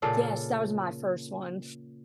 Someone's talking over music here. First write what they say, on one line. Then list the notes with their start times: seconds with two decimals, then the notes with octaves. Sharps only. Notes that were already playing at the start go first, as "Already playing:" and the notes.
Yes, that was my first one.
0.02 A#2 C#3 A4 F5